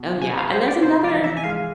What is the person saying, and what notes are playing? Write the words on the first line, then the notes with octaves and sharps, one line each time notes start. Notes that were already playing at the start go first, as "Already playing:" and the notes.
Oh yeah, and there's another,
Already playing: B2
G#5
F5
C5
D5
C3 C5
F3 D5
E3
E5
G#5
G#3 F5